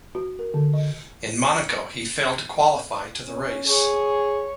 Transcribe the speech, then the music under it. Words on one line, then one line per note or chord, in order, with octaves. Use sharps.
In Monaco he failed to qualify to the race.
F#4
A#4
D3
D#5
C#4
G#4 C#5